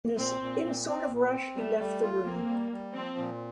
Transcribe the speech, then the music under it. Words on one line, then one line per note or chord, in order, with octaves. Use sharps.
In a sort of rush he left the room.
A#2 C4
A#2
A#2
C4
A#2
C4
G3 A3
G3
F4
A#3 C4
G3
G3
F3 C4
A#2